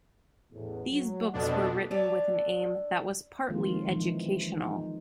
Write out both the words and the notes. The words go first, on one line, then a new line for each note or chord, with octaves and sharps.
These books were written with an aim that was partly educational.
A1 E2
F#3
F2 B2 D4 A4 D#5
D4 C#5 E5 A5
D#3 F3 G#3 A#3 C4 F4
E3 F3 D#4
D#4 G#4